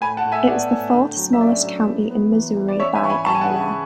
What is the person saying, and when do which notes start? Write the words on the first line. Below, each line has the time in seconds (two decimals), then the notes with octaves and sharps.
It is the fourth-smallest county in Missouri by area.
0.01 A2 G#5 B5
0.17 F#5 A5
0.24 A2
0.32 E5 G#5
0.47 B3 D5 F#5
0.70 A2
0.94 D3
1.17 F#3
1.33 E5
1.41 C#4 D5
1.63 F#3
1.86 B3
2.10 B3
2.32 E3
2.56 E3
2.68 D5
2.79 C#4 C#5 E5
2.95 E5 G#5
3.03 E3 C#6
3.10 G#5 B5
3.26 E3 A5 C#6
3.35 G#5
3.41 F#5 A5
3.49 C#3